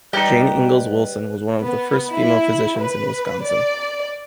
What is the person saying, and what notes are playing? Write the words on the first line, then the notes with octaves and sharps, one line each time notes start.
Jane Ingalls Wilson was one of the first female physicians in Wisconsin.
G3 D#4 G4 B4 D5
B3
E4
B4
D5